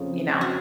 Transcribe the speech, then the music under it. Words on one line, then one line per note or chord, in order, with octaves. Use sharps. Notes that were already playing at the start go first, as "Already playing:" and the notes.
You know?
Already playing: F2 C#3 F3 A#3 F4
F#4